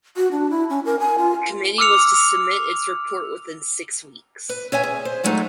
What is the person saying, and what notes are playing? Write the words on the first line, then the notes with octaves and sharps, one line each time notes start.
The committee was to submit its report within six weeks.
F#4
D4
E4
C#4
A#4
G#5
F4
D6 E6 F6 C#7 F7
B4
C#4 C#5 E5 G#5
G#4
C5
F3 F#3 G#3 A3 D#4 G#4